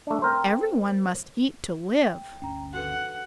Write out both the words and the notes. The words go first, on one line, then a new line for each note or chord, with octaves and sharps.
Every one must eat to live.
A3 D4
C4 A#4 C5
G5
G1 D2 C#4 G5 A#5
F#4 A4 B4 F#5